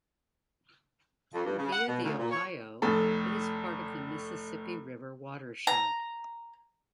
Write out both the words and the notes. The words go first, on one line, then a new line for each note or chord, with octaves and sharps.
Via the Ohio, it is part of the Mississippi River watershed.
F2
G2
C#3
F#5
B2
D2
A#2
C#5
F1 A2 A4
A#5